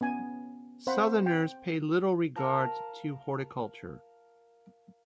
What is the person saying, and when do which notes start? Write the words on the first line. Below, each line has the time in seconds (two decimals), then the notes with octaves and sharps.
Southerners pay little regard to horticulture.
0.01 B3 C#4 G#5
0.87 C4 C5 F5 F#5 B5
1.26 G5
2.36 A#4 F5 A5 A#5